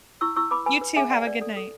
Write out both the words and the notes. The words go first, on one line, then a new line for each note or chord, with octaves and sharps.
You too. Have a good night.
E4 C#6 E6
E4 C#6 E6
B4 B5 D6
B4 G#5 B5
B4
G#4 E5 G#5
B4 D5 F#5
B4 D5
A4 D5
A4